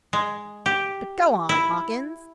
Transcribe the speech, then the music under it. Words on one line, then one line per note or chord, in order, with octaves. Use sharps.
"But go on, Hawkins."
G#3
G4
E4